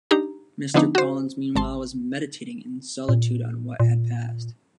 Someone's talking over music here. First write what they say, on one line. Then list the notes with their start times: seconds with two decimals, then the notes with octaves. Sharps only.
Mr. Collins, meanwhile, was meditating in solitude on what had passed.
0.11 D4 D#4 G4 A#5
0.74 D3 F3 B3 D4 D#4
0.95 F#4 C5
1.56 G#1 A5 C6
3.09 A#2
3.80 A#2